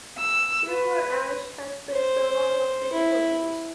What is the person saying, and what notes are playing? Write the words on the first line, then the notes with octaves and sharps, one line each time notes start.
Silver Ash has faced a lot of difficulties.
E6
B4
C5
E4